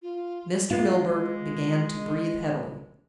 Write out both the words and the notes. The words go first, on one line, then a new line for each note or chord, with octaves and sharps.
Mr. Milburgh began to breathe heavily.
F4
G#3 F4